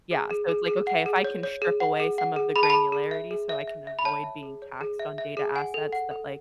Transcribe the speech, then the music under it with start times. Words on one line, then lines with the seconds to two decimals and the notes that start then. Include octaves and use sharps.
Yeah, so it's like, "Okay, if I can strip away some of the granularity, so I can avoid being taxed on data assets that like,
0.11 G#4
0.30 G#4
0.49 G#4
0.68 G#4
0.87 F#5
1.06 G#4
1.24 C#5
1.43 C#5
1.62 G#4
1.80 F#5
2.00 G#4
2.18 F#5
2.36 G#4
2.56 G#4 B5
2.63 A5
2.70 G#4 B5
2.92 G#4
3.11 E5
3.31 G#4
3.49 E5
3.68 E5
3.87 E5
3.99 B5
4.05 C#5 A5
4.24 E5
4.43 G#4
4.62 C#5
4.81 G#4
4.99 E5
5.18 E5
5.37 G#4
5.55 F#5 G#5
5.74 A4
5.93 F#5
6.11 A4